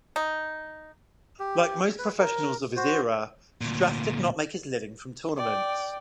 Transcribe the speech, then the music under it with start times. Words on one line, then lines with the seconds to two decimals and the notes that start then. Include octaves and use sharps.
Like most professionals of his era Strath did not make his living from tournaments.
0.16 D#4
1.39 G4
1.99 B4
2.19 A#4
2.76 F#4 C5
3.61 D2 A#2
5.37 D5 G5